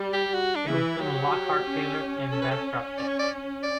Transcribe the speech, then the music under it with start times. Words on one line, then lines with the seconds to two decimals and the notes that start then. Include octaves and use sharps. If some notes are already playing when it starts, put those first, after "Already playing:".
It was filmed in Lockhart, Taylor and Bastrop, Texas.
Already playing: G3
0.13 G4
0.34 F#4
0.55 D4
0.67 E3 E4
1.00 F#3 G4
1.65 C#4
2.32 A4
2.42 B4
2.51 A4
2.98 D5
3.08 C#5
3.19 D5
3.63 D5